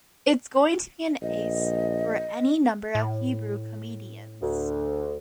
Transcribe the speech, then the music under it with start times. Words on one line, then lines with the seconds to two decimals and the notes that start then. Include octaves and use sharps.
It's going to be an ace for any number of Hebrew comedians.
1.22 A#1 D#5
2.95 A2
4.42 D2